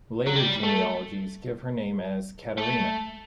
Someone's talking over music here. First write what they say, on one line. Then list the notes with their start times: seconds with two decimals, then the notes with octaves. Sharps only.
Later genealogies give her name as Katarina.
0.27 F#3
0.36 G3
0.63 A3
2.58 A3